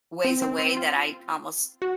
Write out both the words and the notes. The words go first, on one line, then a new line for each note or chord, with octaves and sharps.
ways away that I almost
C4
C4
C4
F4
F#4